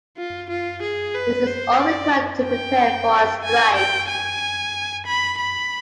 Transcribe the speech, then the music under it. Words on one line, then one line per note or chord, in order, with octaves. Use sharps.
This is all required to prepare for a strike.
F4
F4
G#4
B4
C5
D5
G5
G#5
G5
G#5
B5
B5